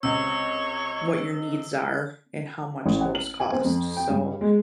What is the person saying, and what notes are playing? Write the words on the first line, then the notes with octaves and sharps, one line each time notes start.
what your needs are and how much those cost, so
C#2 C3 C#5 E6
A1
F#5
F#7
G#5
C4
F2
G5
G2
G#3